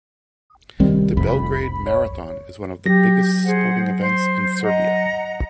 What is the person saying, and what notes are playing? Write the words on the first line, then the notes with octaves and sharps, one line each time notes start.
The Belgrade Marathon is one of the biggest sporting events in Serbia.
C2 D#3 G3 C4
F1 C2 F2 B5
C#5
F#3 G4 A#6
G#4 C5 F#5
C5
D#5 F#5 A#5